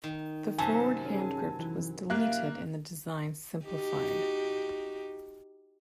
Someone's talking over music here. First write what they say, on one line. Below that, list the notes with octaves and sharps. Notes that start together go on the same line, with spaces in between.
The forward hand grip was deleted, and the design simplified.
D#3
F#2 C3 G#5 A5
C#4 G#4
E3
A#3 G4 E5 F5 F#6
D#4 F#4 G4